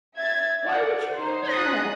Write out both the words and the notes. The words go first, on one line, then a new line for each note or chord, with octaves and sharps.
Why would you do that?"
E5 G#6 A6
D5 F#5
D#4 C5
D#6 F#6